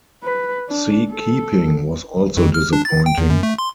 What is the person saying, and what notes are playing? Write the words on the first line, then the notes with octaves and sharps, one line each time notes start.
Sea keeping was also disappointing.
B4
D4
A4
F2
F6
D4
A6
G5
E2
F#2
A3
C6